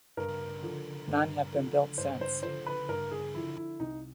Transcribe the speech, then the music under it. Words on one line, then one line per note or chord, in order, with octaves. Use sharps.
None have been built since.
G2 A#4
D3 F3
G2
D3 F3
G2 C5
C5
D3 F3 C5
B4
G2 A#4
G#4
D3 F3 E4
E4
C2 D#4